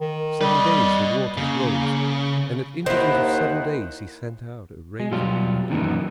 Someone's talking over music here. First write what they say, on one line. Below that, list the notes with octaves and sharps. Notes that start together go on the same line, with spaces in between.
Seven days the waters rose, and at intervals of seven days he sent out a raven and a dove.
D#3
G3 B4 D#5
C#3 A#3
D#2 D#3 E4 C5 F#5
G#3
B2 F#3 G3 F4
F#2 A#2 D#3 E3 B3